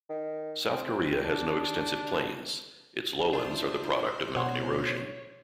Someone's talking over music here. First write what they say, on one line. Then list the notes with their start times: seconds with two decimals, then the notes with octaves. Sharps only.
South Korea has no extensive plains; its lowlands are the product of mountain erosion.
0.09 D#3
0.73 C4
1.24 D4
3.33 D4 E4 F4 C5
4.36 B2 C#5 F#5 C6